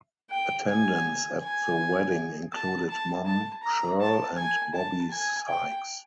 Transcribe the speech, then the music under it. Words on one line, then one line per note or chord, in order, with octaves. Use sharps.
Attendants at the wedding included Mum Shirl and Bobbi Sykes.
G5
G#5
G#5
A5
A5
A5
A#5
A5
G#5
A5
G#5
G5